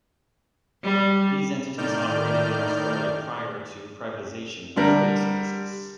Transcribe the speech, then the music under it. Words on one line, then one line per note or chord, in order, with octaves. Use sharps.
These entities operated in Australia prior to privatisation of freight services.
G3
A2 D#3 D5 F6 G6
D3 G3 A#4